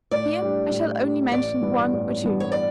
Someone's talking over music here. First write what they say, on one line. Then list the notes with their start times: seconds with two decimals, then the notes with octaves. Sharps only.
Here I shall only mention one or two.
0.11 A2 D5
0.41 G3 D4
0.71 A2
1.01 G3 D4
1.32 A1 D5
1.61 G2 E3 B3
1.93 A1
2.22 G2 E3 B3
2.40 C#5
2.52 D5